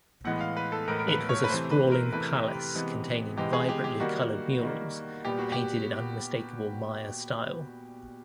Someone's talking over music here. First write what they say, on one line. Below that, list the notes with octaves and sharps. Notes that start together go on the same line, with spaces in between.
It was a sprawling palace containing vibrantly colored murals painted in unmistakable Maya style.
A2 E3 G#3 B3 F#5
F5
B4
A4
A2 E3 G#3 B3 A#4
A#4
B4
C#5
B4
C3 E3 A3 C5
B4
A#4
C3 E3 A3 B4
G4
C3 E3 G#3 B3
C3 E3 G#3 B3 G4
G#4
G4
G4
D#3 G3 A#3 F#4
D#3 G3 A#3
A#2 G3 B3 G4
F#4
G4